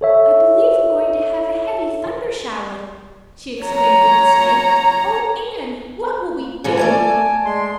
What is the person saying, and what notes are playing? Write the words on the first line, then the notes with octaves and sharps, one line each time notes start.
"I believe we're going to have a heavy thunder-shower," she exclaimed in dismay, "Oh, Anne, what will we do?"
A4 C#5 E5
C#5 A#5
G#2 E3 F3
A3 D5 G#5 A5
G#3 C6